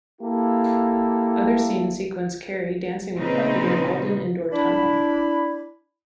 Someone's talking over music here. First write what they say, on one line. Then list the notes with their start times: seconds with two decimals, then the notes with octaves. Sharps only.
Other scenes sequence Carey dancing with Puffy in a golden indoor tunnel.
0.21 A#3 E4 G4 A4
3.18 A#2 C#3 C4 D#4 B4
4.52 D4 E4 B5